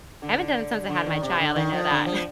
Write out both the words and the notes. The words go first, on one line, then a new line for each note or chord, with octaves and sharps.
I haven't done it since I had my child I know that.
D3
D3
D#3
C3
D3
D#3
F3
D3
F3